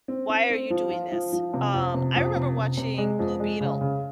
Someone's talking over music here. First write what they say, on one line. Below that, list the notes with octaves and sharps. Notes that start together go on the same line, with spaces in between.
Why are you doing this? Um, I remember watching Blue Beetle,
C4
C4
C4
F3
F4
F3
F3
C3
F2
C3
F2
C3
C3
C3
G#3
F2
G#3
C#3
C#3